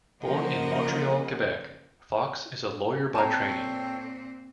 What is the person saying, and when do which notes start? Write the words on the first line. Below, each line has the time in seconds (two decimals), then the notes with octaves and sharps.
Born in Montreal, Quebec, Fox is a lawyer by training.
0.22 C#3 F3 A#3 A#4 D#5 F#5
3.15 A#2 C4 A4 C#5 G5 A5 A#5